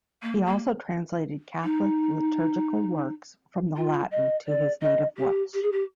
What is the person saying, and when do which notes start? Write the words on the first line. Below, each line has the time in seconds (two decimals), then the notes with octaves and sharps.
He also translated Catholic liturgical works from the Latin to his native Welsh.
0.22 A#3
0.46 A#3
1.64 D#4
3.77 F4
4.11 D#5
4.47 D5
4.82 D#5
5.17 G4
5.53 G4
5.62 G#4
5.72 G4